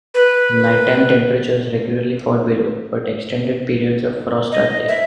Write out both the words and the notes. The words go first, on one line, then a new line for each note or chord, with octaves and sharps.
Nighttime temperatures regularly fall below but extended periods of frost are rare.
B4
D#5
E5